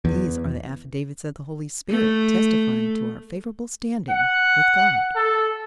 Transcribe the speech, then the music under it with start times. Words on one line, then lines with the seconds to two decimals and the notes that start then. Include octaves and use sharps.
These are the affidavits of the Holy Spirit testifying to our favorable standing with God.
0.05 E2
1.91 A3
4.10 F#5
5.15 A4